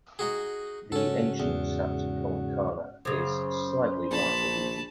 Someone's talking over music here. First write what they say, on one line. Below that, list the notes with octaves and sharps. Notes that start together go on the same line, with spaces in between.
The ancient Saptakonkana is a slightly larger region.
D#4 F#4 G#4
G#2 C#3 C#4 F#4 A4
E2
F#2 C#3 C5
A#1 A5 B5